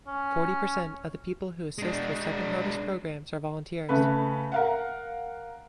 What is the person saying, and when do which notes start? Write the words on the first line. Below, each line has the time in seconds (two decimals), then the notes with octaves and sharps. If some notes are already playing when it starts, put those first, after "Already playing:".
Forty percent of the people who assist with Second Harvest programs are volunteers.
0.07 C#4
1.78 G#3 D4
3.89 C#3 A3 B4
4.52 A#4 F5 F#5